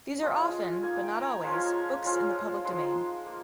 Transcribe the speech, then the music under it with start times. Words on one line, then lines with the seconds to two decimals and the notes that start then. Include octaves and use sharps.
These are often, but not always, books in the public domain.
0.22 F3 G#3 C#4 F4 D#5
0.35 F5
0.48 D#5
0.82 A#3 D#4 G#5
1.03 G5
1.16 A#5
1.23 G#5
1.43 F3 G#3 C#4 F4 A#5
1.55 G#5
1.65 A#5
2.04 F3 G#3 C#4 F4
2.64 F3 G#3 D#4 C6
2.76 A#5
2.89 C6
3.26 A#3